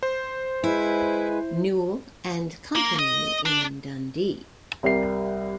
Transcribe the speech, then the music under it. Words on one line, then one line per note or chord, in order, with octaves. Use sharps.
Newall and Company in Dundee.
C5
G#3 E4 B4 G#5
A#3
D#5
D4
C2 G3 A#4 C7